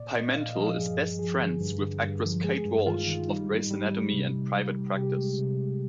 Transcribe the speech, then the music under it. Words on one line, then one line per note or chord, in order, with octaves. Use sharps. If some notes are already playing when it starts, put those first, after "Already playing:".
Pimental is best friends with actress Kate Walsh of "Grey's Anatomy" and "Private Practice".
Already playing: A#2 D5
A#2 D#5
A#2 F5
F3 D#5
G2 G#4
G2
F3 G#4
D3
G2
D3
G2
F3
G#3 G#4
G2
D#3 F4
D#3
G3 D#4
G#2
G3
G3
C3
C3
G3
G3
C3 G4
G#3
C3
G#3